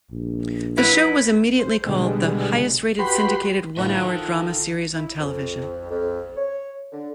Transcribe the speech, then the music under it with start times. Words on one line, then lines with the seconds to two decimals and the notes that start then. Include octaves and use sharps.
The show was immediately called the "highest-rated syndicated one-hour drama series on television".
0.11 A#1
0.77 F#3 E4 B4
1.59 C5
1.86 B2 D3 G3 G#3
2.99 F#4 G4 B4 B5 C6
3.77 E2 A2 D3 F3 E4 F#4 D#5 E5
3.94 D#3 D#4 F4 A4
4.96 E4
5.19 F2
5.90 F2
6.37 C#5
6.93 D3